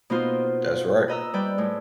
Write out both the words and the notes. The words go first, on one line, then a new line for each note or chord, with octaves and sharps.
That's right.
B2 A#3 B3 D#4 F4 C5
B4 D#5 A#5 E6
G3 B4 D5 G5
A2 G#3